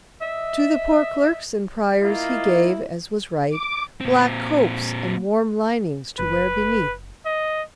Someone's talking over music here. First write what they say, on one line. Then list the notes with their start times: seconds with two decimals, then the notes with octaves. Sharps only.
To the poor clerks and priors he gave, as was right, black copes and warm linings to wear beneath.
0.21 D#5 E5
2.02 A#3 E4 F4 D#5
3.49 D6
4.01 A#2 C4
6.19 F#1 B4
7.26 D#5